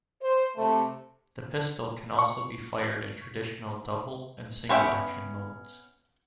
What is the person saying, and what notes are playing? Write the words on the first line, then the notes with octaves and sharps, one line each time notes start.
The pistol can also be fired in traditional double and single-action modes.
C5
C3 A3
C#6
B3 C#4 C5 E5 G5